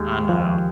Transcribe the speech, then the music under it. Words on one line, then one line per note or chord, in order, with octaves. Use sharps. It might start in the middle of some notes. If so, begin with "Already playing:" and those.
I know.
Already playing: D#2 D#3 G#3
F3